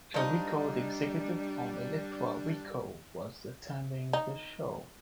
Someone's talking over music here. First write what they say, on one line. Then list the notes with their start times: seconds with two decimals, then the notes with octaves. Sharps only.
A record executive from Elektra Records was attending the show.
0.14 F3 G3 D4 D#4
4.13 D#4